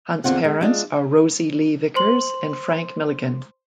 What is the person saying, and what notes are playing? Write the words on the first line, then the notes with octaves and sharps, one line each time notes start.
Hunt's parents are Rosie Lee Vickers and Frank Milligan.
E2 D3 F3 C4 F4 F#5
G#3
G#3 D4 F4
C5 C6 F#7